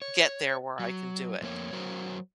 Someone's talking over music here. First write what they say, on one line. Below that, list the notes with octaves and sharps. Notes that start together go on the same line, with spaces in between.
get there where I can do it.
C#5
F#3
F2 A3 A#3 F#4 C#5
F#3 F#4 A#4 C5 C#5